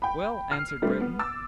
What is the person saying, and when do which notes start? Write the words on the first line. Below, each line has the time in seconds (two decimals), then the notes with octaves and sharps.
"Well," answered Breton.
0.02 G5 B5
0.51 F6 C7
0.82 G3 A3 C4 D4
1.00 B3
1.19 D6 E6 A6